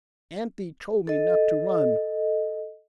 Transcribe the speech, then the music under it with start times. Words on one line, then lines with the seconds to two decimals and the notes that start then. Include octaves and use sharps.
'Aunty told me not to run.
1.07 A4 D#5